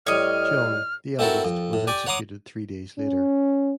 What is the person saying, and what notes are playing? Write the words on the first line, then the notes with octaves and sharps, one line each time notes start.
John, the eldest, was executed three days later.
A2 G3 C#5 D#5 F6
A3 C4 E4 F#4 A4 A#4
F2
A2
G4 D5 G#5
C#5 F#5 A#5 C6 D6 D#6
C#4